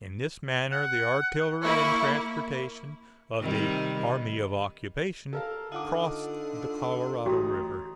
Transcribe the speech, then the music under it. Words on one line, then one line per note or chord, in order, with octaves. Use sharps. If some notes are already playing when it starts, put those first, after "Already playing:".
In this manner the artillery and transportation of the "army of occupation" crossed the Colorado River.
F#5
A#3 E4 C#6
C3 D#3 G3
A4 A#4 F5
D3 D#4 F4 D#5 F5 F#5 D6
A1 F#4 G4 G5 A#5 D#6